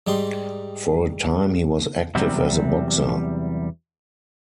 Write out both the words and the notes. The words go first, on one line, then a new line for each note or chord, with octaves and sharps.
For a time, he was active as a boxer.
G#2 G3 D#4 C6
E2 C3 F#3 G3 C4